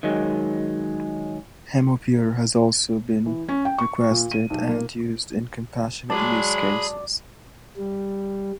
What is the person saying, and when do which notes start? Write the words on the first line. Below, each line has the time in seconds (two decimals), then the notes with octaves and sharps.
Hemopure has also been requested and used in compassionate use cases.
0.03 D#3 F#3 G#3
3.26 E3
3.49 C#4
3.65 G5
3.78 C#6
4.11 A#2
4.31 D#7
4.50 B1
4.69 A#3
6.10 F#3 G#3 G#4 D5 A5 B5
7.77 G3